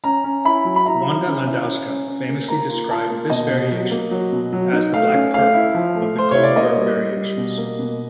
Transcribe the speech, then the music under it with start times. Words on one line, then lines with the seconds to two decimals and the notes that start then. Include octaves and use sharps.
Wanda Landowska famously described this variation as "the black pearl" of the "Goldberg Variations".
0.04 C#4 A#5
0.24 C#4
0.45 E4 B5
0.65 F#3
0.76 B5
0.85 E4 A#5
1.06 E4
1.27 C#4
1.47 E4
1.68 C#4
1.88 C#4
2.08 C#4
2.28 A#3
2.48 A#3 A#5
2.69 F4
2.90 F4 A5
3.10 A#3
3.30 B2 D#5
3.50 B2
3.71 F#3
3.91 A#3
4.11 F#3
4.32 B2
4.53 F#3
4.72 D#4
4.94 A3 F5
5.13 C#4
5.34 A3 F5
5.54 E4
5.75 F3
5.95 A3
6.15 A3 C5
6.31 E4 C#5
6.43 D5
6.56 A#3 D#5
6.77 G3
6.97 G3
7.17 G3
7.37 B2
7.57 A#3
7.79 B2